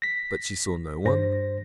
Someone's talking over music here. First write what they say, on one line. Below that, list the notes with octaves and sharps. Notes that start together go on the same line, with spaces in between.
"But she saw no one?"
A#6 B6
G2 C5 A#6